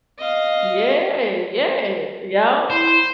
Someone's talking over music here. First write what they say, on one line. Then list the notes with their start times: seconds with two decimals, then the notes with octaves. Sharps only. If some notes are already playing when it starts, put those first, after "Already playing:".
Yeah, yeah, yep. I
0.18 D#5 F5
2.70 E4 C5 C6